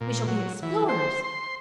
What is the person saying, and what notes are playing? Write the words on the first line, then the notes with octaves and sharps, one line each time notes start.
We shall be explorers.
A#2
F#3
E3
C5
C6